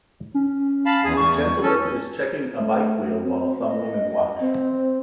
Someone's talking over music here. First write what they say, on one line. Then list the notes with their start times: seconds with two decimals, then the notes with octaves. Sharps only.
A gentleman is checking a bike wheel while some women watch.
0.34 C#4
0.86 F5 A5 B5
1.05 E2 G#4
1.17 E2 C#6
1.63 C#4 A4
2.57 A3
3.23 C4
3.68 D#5
4.40 C4